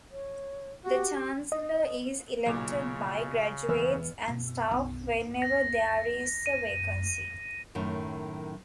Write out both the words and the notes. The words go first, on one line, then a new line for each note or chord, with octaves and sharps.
The chancellor is elected by graduates and staff whenever there is a vacancy.
C#5
F#4 G4
D#5
B1 A#2 C#3 D6
E1 E3 B3 E6 F6
B2 C4
B1
A#6
D#7
F#2 A2 D#3